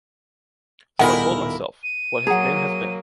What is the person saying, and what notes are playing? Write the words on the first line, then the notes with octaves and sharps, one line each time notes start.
So I told myself: what has been has been.
D#1 B2 D#3 G3 G#3 E4 A#4 F#5
D#7
F#3 A#3 G#4 F#5 A#5